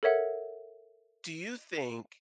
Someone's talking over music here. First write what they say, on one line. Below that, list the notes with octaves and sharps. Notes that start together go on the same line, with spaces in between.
do you think
A4 A#4 C#5 E5 F#5